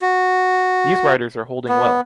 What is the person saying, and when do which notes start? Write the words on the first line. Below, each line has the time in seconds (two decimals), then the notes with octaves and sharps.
These riders are holding well.
0.02 F#4
1.69 B3